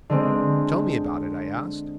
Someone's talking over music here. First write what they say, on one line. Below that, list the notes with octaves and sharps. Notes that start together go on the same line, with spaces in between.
"Tell me about it," I asked.
D3 G#3 C4